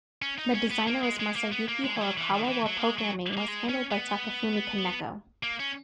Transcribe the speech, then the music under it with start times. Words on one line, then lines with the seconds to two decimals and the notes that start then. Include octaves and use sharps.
The designer was Masayuki Horikawa, while programming was handled by Takafumi Kaneko.
0.22 C#4
0.38 D#4
0.54 C#4
0.71 B3
0.87 A#3
1.03 G#3
1.20 G#3
1.36 A#3
1.52 B3
1.68 A#3
1.85 G#3
1.96 E3
2.01 F#3
2.17 E3
2.34 D#3
2.44 D#3
2.49 E3
2.66 F#3
2.77 A#3
2.82 G#3
2.98 F#3
3.37 A#3
3.48 G#3
3.69 C#4
3.91 B3
5.43 A#3
5.59 C#4